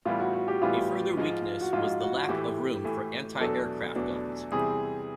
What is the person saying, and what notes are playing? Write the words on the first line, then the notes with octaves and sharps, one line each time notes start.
A further weakness was the lack of room for anti-aircraft guns.
A2 E3 G3 B3 E4 F4
F#4
F#4
G4
A2 E3 G3 B3 E4 F4
G#2 F3 G#3
F#4
G#2 F3 G#3 F4
F4
F#4
F#4
A2 E3 A3 G4
A2 E3 A3
E2 B2 F#3 A3 D4 A4
E2 B2 F#3 A3 D4
E2 C3 E3 G3 C4 G#4